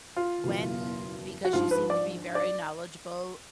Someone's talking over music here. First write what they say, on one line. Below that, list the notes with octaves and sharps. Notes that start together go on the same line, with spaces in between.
When because you seem to be very knowledgeable
F4
F#1 E2 B2
F#4
A#1 G#2 F3 F4
B4
D5
D5